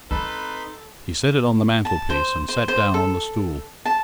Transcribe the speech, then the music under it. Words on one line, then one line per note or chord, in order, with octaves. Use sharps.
He set it on the mantelpiece, and sat down on the stool.
C4 D#4 A4 B4 B5 C6
A5
C5
C5
C5
A4
A5